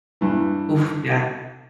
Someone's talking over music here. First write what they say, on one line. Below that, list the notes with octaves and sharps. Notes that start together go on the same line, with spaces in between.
Oof. Yeah.
G2 E3